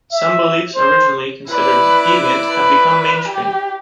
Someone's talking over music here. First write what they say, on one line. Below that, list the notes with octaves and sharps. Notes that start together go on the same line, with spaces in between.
Some beliefs originally considered deviant have become mainstream.
E5
C5
E4 B4 D5
B4
G4